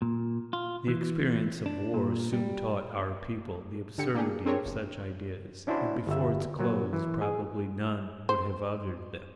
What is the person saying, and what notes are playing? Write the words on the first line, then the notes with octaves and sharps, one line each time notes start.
The experience of war soon taught our people the absurdity of such ideas, and before its close probably none would have uttered them.
A#2
F4
E3
D4
A#2
G3
D3 G4 C#7
A#3 D4 G4 G#4
C4 D4 G#4 A#4 C#5
G1
C#4 D4 E4 F#4 C5
G1 E5
A#2 F#3
E3
G#4
C5